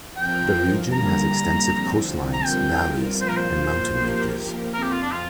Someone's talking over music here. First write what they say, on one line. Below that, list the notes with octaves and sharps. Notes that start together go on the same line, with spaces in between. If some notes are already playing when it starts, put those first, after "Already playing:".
The region has extensive coastlines, valleys and mountain ranges.
F2 F3 C4 A#4 G5
G2 D3 G3 A#3 A#5
D3 F3 C4
A#5
G2 G3 C4 F4 A#4 G5
A#2 F3 A#3 F4 C5
A#4
C5
F3 A#3 G4 A#4
F2 F3 C4 A#4
G4
F4
D4
F4